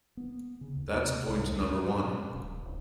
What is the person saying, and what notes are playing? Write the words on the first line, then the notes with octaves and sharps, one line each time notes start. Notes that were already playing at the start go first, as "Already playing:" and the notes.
That's point number one.
B3
C#3
D#2
C3
C2
D#2
A2
B2
D1
D1